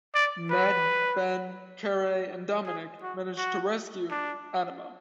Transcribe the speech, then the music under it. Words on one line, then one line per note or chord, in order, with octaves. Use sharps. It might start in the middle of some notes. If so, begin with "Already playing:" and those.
Ned, Ben, Karay, and Dominic manage to rescue Adamo.
D5
B4
G#4
F#4
F#4
D4